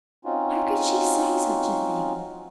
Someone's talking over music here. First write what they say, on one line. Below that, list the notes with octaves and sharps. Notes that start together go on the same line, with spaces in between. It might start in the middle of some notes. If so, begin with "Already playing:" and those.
How could she say such a thing!
C4 C#4 D#4 F4 F#4